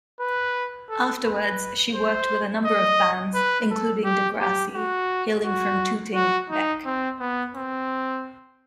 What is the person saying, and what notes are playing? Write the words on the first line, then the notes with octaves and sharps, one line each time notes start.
Afterwards, she worked with a number of bands, including Degrassi, hailing from Tooting Bec.
B4
A4
B4
C5
D#5
B4
A4
G4
G4
F#4
F#4
F#4
D#4
C4
B3
C4